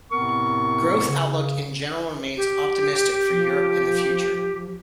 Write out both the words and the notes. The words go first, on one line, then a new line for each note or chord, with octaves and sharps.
Growth outlook in general remains opimistic for Europe in the future.
A2 C3 B3 C4 A#4 C#6
C#3
G4
F3